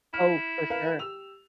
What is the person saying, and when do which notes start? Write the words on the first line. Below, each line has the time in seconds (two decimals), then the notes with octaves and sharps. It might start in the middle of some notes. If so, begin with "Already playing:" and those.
Oh, for sure.
0.14 E4 F6
0.70 A#4 B4 F5
0.99 G4 E6 F7